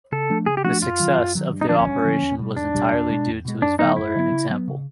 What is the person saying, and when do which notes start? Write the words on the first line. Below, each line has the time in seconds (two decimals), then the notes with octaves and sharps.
The success of the operation was entirely due to his valour and example.
0.12 C#3 A4
0.30 F3 A3 D4
0.46 C#3 G#4
0.57 G4
0.64 F3 A3 D4 F#4
0.82 F#2 F4
1.00 D#3 F#3
1.17 F#2
1.35 D#3 F#3
1.52 G2
1.61 D#4
1.69 D3 F3 A#3 D4
1.79 C#4
1.87 G2
2.05 D3 F3 A#3
2.22 E2
2.39 B2 G3
2.57 E2 D4
2.74 B2 G3
2.92 E2
3.09 B2 G#3
3.27 E2
3.45 B2 G#3
3.62 F#2 D4
3.79 D3 F#3 B3 D#4
3.97 F#2 E4
4.15 D3 F#3 B3
4.32 C#3
4.50 F#3 B3
4.68 C#3